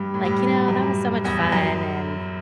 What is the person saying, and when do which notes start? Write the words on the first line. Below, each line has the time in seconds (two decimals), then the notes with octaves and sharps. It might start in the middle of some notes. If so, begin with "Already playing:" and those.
like, "You know, that was so much fun, and,
Already playing: G2
0.14 A2
0.25 G2
0.68 F#2
1.24 E2
1.52 F#2